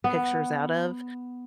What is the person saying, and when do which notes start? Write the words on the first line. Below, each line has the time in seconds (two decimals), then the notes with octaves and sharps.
pictures out of.
0.04 B3